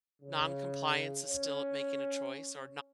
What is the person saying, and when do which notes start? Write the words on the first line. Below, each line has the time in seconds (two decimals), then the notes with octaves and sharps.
"Non-compliance is still making a choice," or
0.22 C#3
1.21 C#4